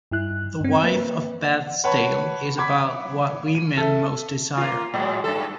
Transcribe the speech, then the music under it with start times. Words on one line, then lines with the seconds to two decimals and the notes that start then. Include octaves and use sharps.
"The Wife of Bath's Tale" is about 'What women most desire'.
0.11 G2 E4 F#6
0.60 G2 C4
0.83 A#3 B4
1.84 B4 C#5 F#5 A5 B5
2.58 F#5 B5 D6 G#6 B6
3.55 D#7
3.77 A4 E5
4.57 A#3 F4
4.94 A2 F#3 G#3
5.24 G2 A4